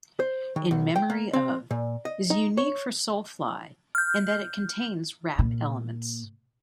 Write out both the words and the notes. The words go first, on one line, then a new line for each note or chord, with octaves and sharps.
"In Memory of..." is unique for Soulfly in that it contains rap elements.
C5
D#3
B1
G5
A#3
C4
A#2
D#5
D#4
C#5
F6 G6
A#2